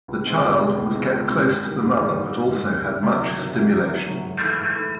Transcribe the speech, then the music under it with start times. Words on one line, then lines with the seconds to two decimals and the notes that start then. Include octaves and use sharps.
The child was kept close to the mother but also had much stimulation.
0.08 C#2
0.25 B2 G#3 C4
0.43 C#2
0.60 B2 G#3 C4
0.77 C#2
0.95 B2 G#3 C4
1.12 C#2
1.30 B2 G#3 C4
1.47 G#2
1.64 D#3 G3
1.81 G#2
1.98 D#3 G3
2.16 G#2
2.33 D#3 G3
2.51 G#2
2.68 D#3 G3
2.85 C2
3.03 C3 D#3 F#3
3.20 C2
3.37 C3 D#3 F#3
3.54 C2
3.72 C3 D#3 F#3
3.89 C2
4.06 C3 D#3 F#3
4.24 G#2
4.41 E3 A3
4.58 G#2
4.75 E3 A3